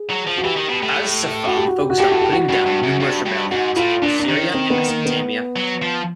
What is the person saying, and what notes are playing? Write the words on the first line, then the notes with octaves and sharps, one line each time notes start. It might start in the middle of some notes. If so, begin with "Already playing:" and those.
As-Saffah focused on putting down numerous rebellions in Syria and Mesopotamia.
Already playing: G#4
F#3
F3
F#4
E3 G4
D#3
B2
A2
F#4
G4
F#4
G4
F#4
A2 G4
F#4
G4
F#4
G2 F#4
G2
F#2
G2
G2
G#2 F#4
A2 F4
A#2 D4
D4
D#3
C#4
C4
B3
A#3
B3
F#3
F3